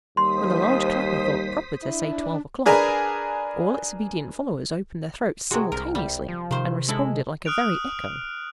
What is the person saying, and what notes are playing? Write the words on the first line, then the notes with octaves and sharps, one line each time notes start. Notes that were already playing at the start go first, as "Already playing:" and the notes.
When the large clapper thought proper to say "Twelve o'clock!" all its obedient followers opened their throats simultaneously, and responded like a very echo.
D#2 G3 C5 C6 D#6 B6
D4 E4
D4 G#4 A#4 B4
C3 G#3 F#4
C2 A#4
G3
F3
C3 D#3 C5
G#3 E4 A4
D#6 F6 F#6 D7 F7